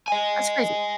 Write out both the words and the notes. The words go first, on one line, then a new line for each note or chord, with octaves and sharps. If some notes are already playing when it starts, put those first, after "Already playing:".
that's crazy.
D#5 G#5